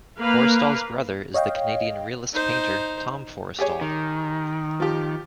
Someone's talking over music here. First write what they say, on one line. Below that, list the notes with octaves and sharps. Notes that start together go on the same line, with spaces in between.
Forrestall's brother is the Canadian realist painter, Tom Forrestall.
A#3 A#4 B4 F5
C#5 D#5 F5 G5
D#4 C5
G4 G#4 C#5
D#3
F3 G4